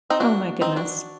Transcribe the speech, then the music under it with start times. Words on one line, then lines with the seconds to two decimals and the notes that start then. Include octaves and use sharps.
Oh my goodness.
0.10 C4 D#4
0.20 D4 F#4
0.61 C4 D#4
0.76 D4 F#4